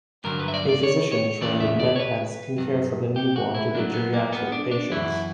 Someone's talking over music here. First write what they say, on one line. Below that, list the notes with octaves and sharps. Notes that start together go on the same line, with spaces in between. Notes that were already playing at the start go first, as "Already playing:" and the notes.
A physician trained in Med-Peds can care for the newborn to the geriatric patients.
G2 D3 F#3 A#4
B4
E5
D5
D5
C#5
C#5
E2 C#3 E3 D5
E5
D5
C#5
B4
G2 F#3
G4
F#4
E4
A#2 F#3 D4
B3
A#3
B3
D4
D4
F#2 E3 E4